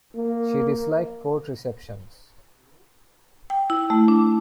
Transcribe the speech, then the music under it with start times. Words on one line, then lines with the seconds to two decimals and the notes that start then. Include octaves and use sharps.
She disliked court receptions.
0.15 A#3
3.50 G5
3.70 E4
3.90 A3
4.08 D4